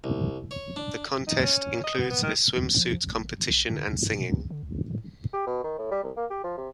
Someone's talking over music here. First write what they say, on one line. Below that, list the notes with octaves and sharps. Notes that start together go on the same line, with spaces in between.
The contest includes a swimsuit competition and singing.
C2
C#5
D4
D#4
C#4
D#5
B3
B3
D#3
D#2
F3
A1
B1
D3
D2
G2
B2
C#2
D3
C#2
A2
G4
B2
D#3
A2
G3
C2
A#3
G4
F3
C3